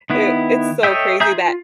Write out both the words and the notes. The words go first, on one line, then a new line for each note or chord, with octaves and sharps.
it it's so crazy that,
D#3 B3 E4
A4 C#5 D#5 E5 G5
G#4 E5 A#5 G6
F4